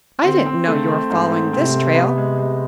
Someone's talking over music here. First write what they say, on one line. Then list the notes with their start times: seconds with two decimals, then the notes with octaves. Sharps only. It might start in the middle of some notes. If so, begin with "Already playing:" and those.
I didn't know you were following this trail.
0.23 D3 C4
0.46 C4
0.66 C#3 A3
0.88 C4
1.10 G#2
1.32 A3
1.53 C3 C4
1.74 A3
1.95 B3
2.17 G#3
2.38 G#3